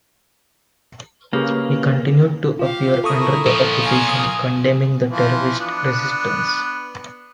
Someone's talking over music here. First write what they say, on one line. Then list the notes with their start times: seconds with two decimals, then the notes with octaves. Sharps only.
He continued to appear under the Occupation condemning the terrorist Resistance.
1.33 C#3 A#3 G4 G#4 B4
2.59 F4 G4 F5
3.04 E4 A4 A#4 C#6 D#6
3.46 A#2 F3
3.79 F5 G#5
4.09 D#6
5.09 E3 F3
5.59 B3 D4